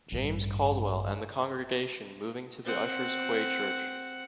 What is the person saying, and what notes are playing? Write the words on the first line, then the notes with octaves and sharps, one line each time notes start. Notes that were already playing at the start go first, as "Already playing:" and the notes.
James Caldwell and the congregation moving to the Ushers Quay church.
A1 G2
C4 F#5